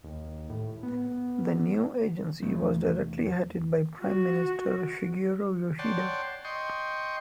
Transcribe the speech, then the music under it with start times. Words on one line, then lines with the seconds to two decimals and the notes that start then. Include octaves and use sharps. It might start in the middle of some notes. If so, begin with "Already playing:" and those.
The new agency was directly headed by Prime Minister Shigeru Yoshida.
0.04 D#2
0.50 A2
0.83 B3
2.42 E2 C3 A3
4.00 F#4
5.79 C#5 D5 F#5 G5 A5 C6
6.45 D#5 G5 C6 C#6